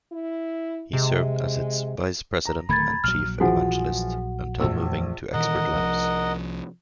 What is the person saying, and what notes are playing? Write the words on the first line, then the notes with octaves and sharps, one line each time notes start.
He served as its Vice President and Chief Evangelist until moving to Expert Labs.
E4
C3 G#3
A#5
D1 D#3 A3 B5 G#6 A6
A#1 F#3 F6
E3 F3 F#4 G#4 F#5
A#1 F2 E3 A3 E6
A#2 D#3 E3 A#4 D#5 F#5
C2 F3